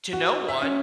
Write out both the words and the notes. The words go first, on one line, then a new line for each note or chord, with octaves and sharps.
to no one
F#4
E5
C#4